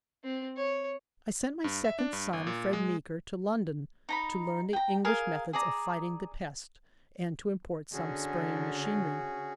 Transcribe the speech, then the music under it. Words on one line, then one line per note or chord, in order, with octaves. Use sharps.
I sent my second son, Fred Meeker, to London to learn the English methods of fighting the pest and to import some spraying machinery.
C4
C#5
G2
E5
D4
G2
G1
A#2
G#3
D#4 A#5 B5
G5 A#5
G#4 A#4 F5
G#4 D5 A#5
D3 C#4 F#4 G#4